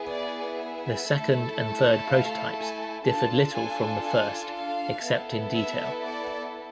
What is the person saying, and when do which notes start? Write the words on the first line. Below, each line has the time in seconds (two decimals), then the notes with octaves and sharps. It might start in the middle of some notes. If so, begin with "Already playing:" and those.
The second and third prototypes differed little from the first except in detail.
Already playing: B3 E4 G#4
0.09 D5
0.59 E5
1.08 A3 E4 A4
2.06 F5
2.57 G#5
3.06 D4 F4 A4 A5
3.54 G#5
4.04 G#5
4.53 F5
5.02 B3 E4 A4
5.53 E5
6.02 D5